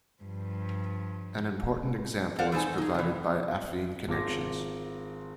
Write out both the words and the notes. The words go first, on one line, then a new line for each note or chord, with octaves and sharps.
An important example is provided by affine connections.
G2 F3
A#4 C5 D5 F5 F#5
E3 A3 D#4 A4 C5 G#5
D#4 G#4
C3 E3
G#1 F4 D6 A#6